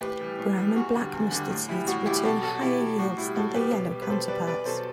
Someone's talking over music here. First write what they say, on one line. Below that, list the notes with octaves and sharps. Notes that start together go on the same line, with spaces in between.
Brown and black mustard seeds return higher yields than their yellow counterparts.
A2 G4 B4
E3 G3
A2
E3 G3
E2 F#4
D3 G3
E2
D3 G3
A2
E3 G3 E4
A2 F#4
E3 G3 E4 G4
B2 F#4 A4
F#3 F#4 A4
B2 E4 G4
F#3
A2 F#4
G3 E4
A2 F#4 A4
G3 G4 B4
B2
G3
B4
B2 A4 C5
G3 B4 D5
E2 B4 D5
B2 F#3 A4 C5